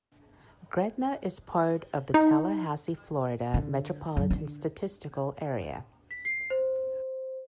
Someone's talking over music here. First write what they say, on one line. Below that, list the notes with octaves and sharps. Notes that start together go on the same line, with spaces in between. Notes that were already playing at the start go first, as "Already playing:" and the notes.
Gretna is part of the Tallahassee, Florida Metropolitan Statistical Area.
D#4
D3
F#2
D3
B6
C7
C5